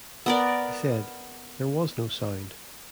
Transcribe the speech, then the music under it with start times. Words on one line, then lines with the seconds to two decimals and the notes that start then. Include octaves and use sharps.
He said: There was no sound!
0.26 B3 A#4 D5